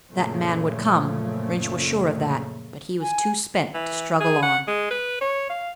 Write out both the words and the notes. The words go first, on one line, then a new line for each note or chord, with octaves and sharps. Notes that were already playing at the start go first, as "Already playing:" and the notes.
That man would come, Rynch was sure of that, but he was too spent to struggle on.
F#1 A#2 C#3 F3 A3
G#5
E3
G#4
F#5
G#3
B4
C#5
F5